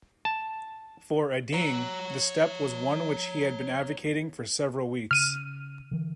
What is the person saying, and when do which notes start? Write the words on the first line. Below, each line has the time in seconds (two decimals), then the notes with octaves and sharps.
For Adeang, the step was one which he had been advocating for several weeks.
0.25 A5
1.53 C#5 A#5
5.11 C#3 F6 D#7
5.91 D3 E3